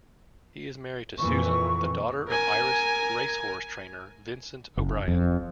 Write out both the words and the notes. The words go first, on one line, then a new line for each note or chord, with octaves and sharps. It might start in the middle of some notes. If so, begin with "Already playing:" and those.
He is married to Susan, the daughter of Irish racehorse-trainer Vincent O'Brien.
F2 A#2 E3 C#6
A#4 G#5
F#1
F2